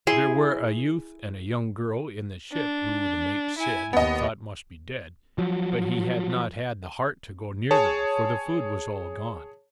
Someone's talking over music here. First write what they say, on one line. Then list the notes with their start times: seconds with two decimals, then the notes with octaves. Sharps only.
There were a youth and a young girl in the ship who the mate said he thought must be dead, but he had not had the heart to go near them, for the food was all gone.
0.07 E4 G#4 C6
2.52 D4
3.58 E4 G#5
3.93 D#2 B3 D#5
5.38 F3 F#3
7.71 G#4 C#5 A5